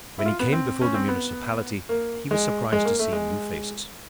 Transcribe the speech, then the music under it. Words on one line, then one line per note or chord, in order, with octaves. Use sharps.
When he came before the municipality he was surprised to see new faces.
E4
F4
B3
C4
C#4
C4
B3
A#3
G#3
G#3
A#3
A3
G#3